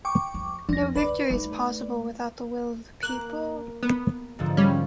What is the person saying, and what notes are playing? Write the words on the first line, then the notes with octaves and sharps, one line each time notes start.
No victory is possible without the will of the people.
G5 C#6 D6
F2
F2 D4 A#6
D3 B4 D5
A3 D#4
A#3 F#6
B3
G#2 D3 F3
G3 C#4